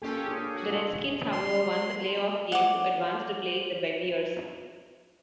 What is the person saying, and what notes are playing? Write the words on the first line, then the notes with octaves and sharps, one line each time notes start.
The Redskins, however, won the playoff game to advance to play the Bears.
A#3 C#4 F4 G4 A4
D4 G#4
F#4
F4 G#4 A4
C6
F#5 D6